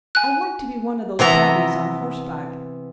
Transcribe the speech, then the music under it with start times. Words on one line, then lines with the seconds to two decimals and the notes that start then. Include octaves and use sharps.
I'd like to be one of those bobbies on horseback.
0.15 G#5 F#6
1.19 C3 E3 B3 A#5